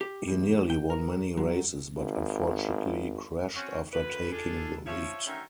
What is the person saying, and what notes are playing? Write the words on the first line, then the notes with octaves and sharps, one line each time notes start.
He nearly won many races but unfortunately crashed after taking the lead.
G4
E2
G5
A#4
F#3
G#1
C4 C#4 F#4
D2 B4
D4 F4 G#4 A4
F3 C#5 E5
F#2 D3 D#3 A3 C#4 E5